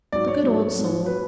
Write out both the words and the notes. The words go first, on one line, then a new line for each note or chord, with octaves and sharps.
The good old soul!
G#2 F#3 D5
C#5
G#2 F#3
G#2 F#3
F#3 B4